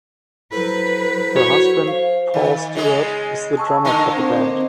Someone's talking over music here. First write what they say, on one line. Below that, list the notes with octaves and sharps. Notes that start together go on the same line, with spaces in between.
Her husband Paul Stewart is the drummer for the band.
F#3 E4 A4 B4 C5
F#4 C#5
C5 F5
D#3 D#5
C#3 G#3 G#4
A5 C#6 E6
D3 A#3 D#4
C4 C5